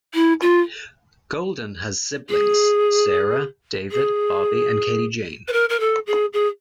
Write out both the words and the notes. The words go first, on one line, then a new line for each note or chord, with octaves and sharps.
Goldin has siblings: Sarah, David, Bobby and Katie-Jane.
E4
F4
G#4
G#4
B4
A#4
A#4
A4
G#4
G#4